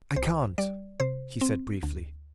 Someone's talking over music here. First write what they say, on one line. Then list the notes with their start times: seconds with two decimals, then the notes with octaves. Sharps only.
"I can't," he said briefly.
0.16 C2 C5
0.58 G3 D5
1.00 C3 C5
1.41 C4
1.83 D2